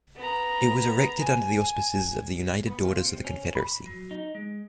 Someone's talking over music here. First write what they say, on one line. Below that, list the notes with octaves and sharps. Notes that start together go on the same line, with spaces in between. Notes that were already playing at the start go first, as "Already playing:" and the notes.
It was erected under the auspices of the United Daughters of the Confederacy.
B3 A#5
G#5
B3
F4
C3
C#4
B5
F#3
D#4
G#3